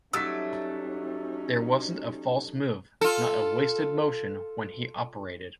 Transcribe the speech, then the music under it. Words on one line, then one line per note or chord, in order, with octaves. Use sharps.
There wasn't a false move, not a wasted motion, when he operated.
F#3 G3 A3 C#4 D#4 E6 B6
F4 A4